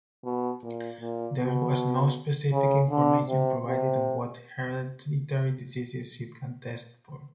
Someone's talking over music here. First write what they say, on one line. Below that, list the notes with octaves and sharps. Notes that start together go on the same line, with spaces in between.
There was no specific information provided on what hereditary diseases it can test for.
B2
A#2
A#2
B2
C#3
D3
C3
C3